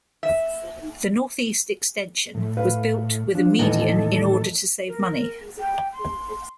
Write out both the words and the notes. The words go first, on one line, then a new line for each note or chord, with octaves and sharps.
The Northeast Extension was built with a median in order to save money.
E5
A2
B4 F5
F3 D4
D#2 A2 E3 G#3 D#4 A4 B4 D#5
A#4
G5
C6